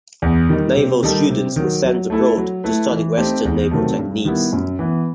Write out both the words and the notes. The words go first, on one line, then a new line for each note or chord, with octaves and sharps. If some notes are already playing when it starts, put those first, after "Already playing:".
Naval students were sent abroad to study Western naval techniques.
E2
D#3 G3 D#4
C3
D#3 G3 D#4 A4
C3
D#3 F#3
F#3
A3 E4 A4
F#3
A3 E4 B4
E3
A3 C4 D#4 G4
E2
C3 D#3 F#3 A3
G2
D#3 G3 B3 E4
F#2
E3 B3